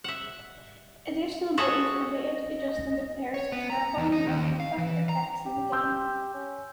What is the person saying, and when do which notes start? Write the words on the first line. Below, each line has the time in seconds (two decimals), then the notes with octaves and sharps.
Additional buttons permitted adjusting the player's guitar volume and feedback effects in the game.
0.04 E5 F#5
1.58 F#4 G#4 A4 C#5 E5 F#5
2.12 D#5
3.34 C#5
3.52 B3
3.70 A#5
3.98 E2
4.12 D#4
4.27 D#2
4.60 F5
4.78 E3
5.09 A#5
5.46 G4
5.72 C6 E6 G6
6.34 C#4